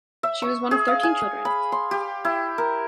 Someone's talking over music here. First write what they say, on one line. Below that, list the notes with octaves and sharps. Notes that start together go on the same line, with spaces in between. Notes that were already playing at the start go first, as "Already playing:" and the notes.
She was one of thirteen children.
E5
C#6
G#4
F5
G#5
B5
C6
G4
E4
A#4